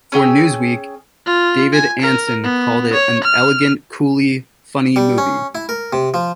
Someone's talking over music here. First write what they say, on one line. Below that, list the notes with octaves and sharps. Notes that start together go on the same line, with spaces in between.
For "Newsweek", David Ansen called it an "elegant, coolly funny movie".
C#4 G#4 G5 E6
F4
G#5
A#4
B3
C#5
F6
G3
C#4
E4
A#4
C3
F3